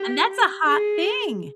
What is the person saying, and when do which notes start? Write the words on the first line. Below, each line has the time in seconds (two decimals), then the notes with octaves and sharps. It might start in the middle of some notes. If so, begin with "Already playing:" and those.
and that's a hot thing!
Already playing: G4
0.63 G#4